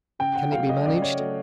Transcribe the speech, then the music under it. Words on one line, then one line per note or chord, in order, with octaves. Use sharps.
"Can it be managed?"
C#3 G5
F#5
F#3 A3 F5
D#5
C#3 D5
C#5
F#3 A3